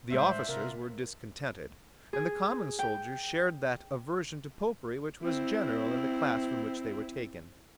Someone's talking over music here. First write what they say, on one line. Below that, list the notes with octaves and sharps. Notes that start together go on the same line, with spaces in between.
The officers were discontented; and the common soldiers shared that aversion to Popery which was general in the class from which they were taken.
A2 F#3 G#3 D4 C5 E5
C3 F4 A#4
G#4
G5
C4 E4